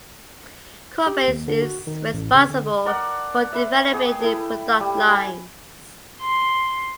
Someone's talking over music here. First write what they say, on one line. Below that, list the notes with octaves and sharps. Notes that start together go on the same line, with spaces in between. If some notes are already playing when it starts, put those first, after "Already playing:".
Corbett is responsible for developing new product lines.
G4
D#2
D3
F#4
D#3
A1
C#3
D3
A#4 D5 F#5 A5
B4 E5
G#4 G5 D#6
E4 A4
G3
G#5 B5
C6